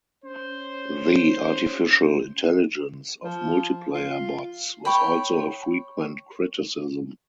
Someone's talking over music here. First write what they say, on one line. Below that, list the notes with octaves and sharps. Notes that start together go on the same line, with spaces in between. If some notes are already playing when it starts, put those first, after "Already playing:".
The artificial intelligence of multiplayer bots was also a frequent criticism.
C#4 C5
F3
F4
C#5 G5 B5